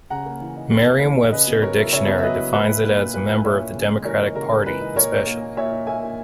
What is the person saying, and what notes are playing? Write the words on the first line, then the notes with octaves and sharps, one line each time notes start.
Merriam-Webster Dictionary defines it as a member of the Democratic party esp.
C#3 F#5 A#5
A#3
E3
D#4
C#3
A#3
E3
D#4
C#3 B4 D#5
B3
F#3 A#4 C#5
E4
C#3 C#5 E5
B3
E5
F#3 B4 D#5
E4
A#2 B4
E4
A#3 B4
A#2
A#2 B4
E4
A#3 C#5 E5
A#2
C#3
G#3
E3 A#4 C#5
D#4
C#3 A#4
G#3
E3 B4
D#4
A#2 A#4 C#5
D#4
A#3
A#2
A#2 C#5 E5
D#4
A#3 E5 G#5
A#2